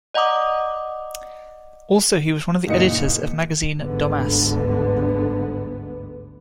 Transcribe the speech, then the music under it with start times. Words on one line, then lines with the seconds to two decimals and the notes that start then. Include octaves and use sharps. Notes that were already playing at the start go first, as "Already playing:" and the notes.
Also he was one of the editors of magazine "Domas".
0.14 D5 D#5 F#5 A#5 D6 D#6
2.67 F#1 A#2 D#3 D#5 C#7
3.78 G1 D2 G#2 D3 B3